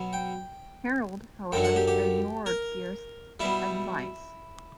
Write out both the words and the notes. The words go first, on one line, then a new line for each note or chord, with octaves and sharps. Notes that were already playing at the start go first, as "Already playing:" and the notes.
Harold, however, ignored Gyrth's advice.
Already playing: B2 F#3
G5
F#2 D3 F#3 G5
F#5
G4
G4
A#4
B2 G3 E4